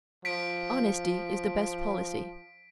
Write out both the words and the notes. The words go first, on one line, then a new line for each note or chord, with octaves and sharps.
Honesty is the Best Policy.
F3 B6 D7